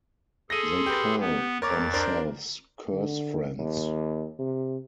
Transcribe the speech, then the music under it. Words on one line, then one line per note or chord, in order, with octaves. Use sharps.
They call themselves Curse Friends.
G#4 A4 C6 A#6 D#7
G4 B4
B3
F2 A#4 C#5 D6 A6
D4 A#4 C5
D3
D#2
C3